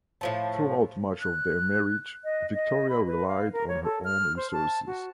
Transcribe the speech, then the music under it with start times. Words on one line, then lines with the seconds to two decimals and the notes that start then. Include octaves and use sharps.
Throughout much of their marriage, Victoria relied on her own resources.
0.21 A2 F3 A5
1.20 F#6
2.24 D#5
2.54 D#5
2.89 B5
3.07 B4
3.27 F5
3.53 A#4
3.68 C#5
3.84 A4
4.04 F6
4.37 C5
4.53 A5
4.87 F#4